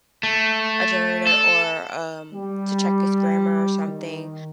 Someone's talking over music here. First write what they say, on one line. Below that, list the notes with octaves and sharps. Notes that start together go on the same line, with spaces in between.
a generator or um, to check it's grammar or something
A3
A4
G3
D#3